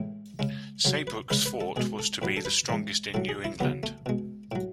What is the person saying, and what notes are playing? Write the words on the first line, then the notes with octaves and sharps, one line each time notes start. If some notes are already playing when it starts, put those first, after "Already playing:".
Saybrook's fort was to be the strongest in New England.
Already playing: A2 E3 G#3
C#3 G#3
C#3 F#3 C#5
B4
C#3 G#3 B4
B4
A4
B2 G#3 G#4
A4
A2 F#3 B4
A4
B4
A2 E3 G#3
A2 F#3 A4
G#4
E4
C#3 F#3 B3
A3
B2 G#3
A2 F#3